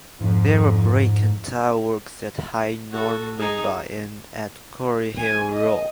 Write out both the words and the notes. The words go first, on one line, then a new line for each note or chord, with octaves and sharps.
There were brick and tile-works at High Normanby and at Quarry Hill, Raw.
F2 G#2
F#4 A4
D#4 G#4
G#5
D#5